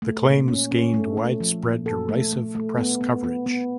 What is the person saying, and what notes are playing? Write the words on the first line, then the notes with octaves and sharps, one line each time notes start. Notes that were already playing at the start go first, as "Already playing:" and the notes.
The claims gained widespread derisive press coverage.
A3
A#2
C#4
C#4
A3
A3
F3
A#2
A4
A3
A3
A3
B3
B3
B3
B3